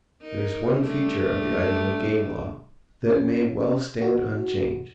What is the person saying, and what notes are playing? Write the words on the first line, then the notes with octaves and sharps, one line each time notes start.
There is one feature of the Idaho game law that may well stand unchanged.
D#4 A#4
G3 A3 D4
C#4
F#4